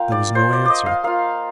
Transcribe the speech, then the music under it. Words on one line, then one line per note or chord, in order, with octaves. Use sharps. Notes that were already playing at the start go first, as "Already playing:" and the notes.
There was no answer.
Already playing: A#3 F4 F5 G5
D5
C5
D5
D5 D#5
F5
A#3 F4 F5